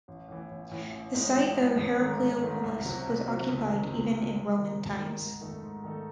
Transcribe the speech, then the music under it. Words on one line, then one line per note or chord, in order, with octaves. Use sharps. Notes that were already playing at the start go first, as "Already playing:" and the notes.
The site of Herakleopolis was occupied even into Roman times.
A1
A2 E3
A1
A2 E3
A1
A2 G#3 D#4
A1
A2 G#3 D#4
A1
G#2 D#3 A3
A1
G#2 D#3 A3
C2
C3 F#3 C4 F#4
C2
C3 F#3 C4 F#4
C#2
C3 D#3
C#2
C3 D#3
C3
D#3 G#3 D#4
C3
D#3 G#3 D#4
G#2
D#3 A3 D#4 A4
G#2
D#3 A3 D#4 A4